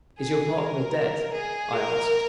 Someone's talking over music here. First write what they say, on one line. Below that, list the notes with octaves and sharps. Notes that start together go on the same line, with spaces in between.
"Is your partner dead?" I asked.
G#4
A#4
G#4
A#4